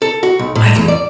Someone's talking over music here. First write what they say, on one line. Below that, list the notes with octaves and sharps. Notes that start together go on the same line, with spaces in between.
I do
A4
F#4
B1
A2
E2
D5